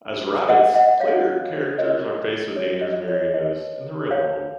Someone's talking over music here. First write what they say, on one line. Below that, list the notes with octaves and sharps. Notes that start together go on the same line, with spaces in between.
As rabbits, player characters are faced with dangers mirroring those in the real world.
F#4 B4
D#5 F#5
D#5 F#5
C#5 F5
F#4 A#4 C#5 D#5
C#5
D#5
C#5
C#5
D#4 F#4 B4 D#5
C#5 F5